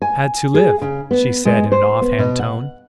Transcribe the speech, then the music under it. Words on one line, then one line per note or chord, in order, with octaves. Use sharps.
"I had to live," she said in an off-hand tone.
G#5
G#4
C#3
B3
G#3
C5
B3
B2
F#5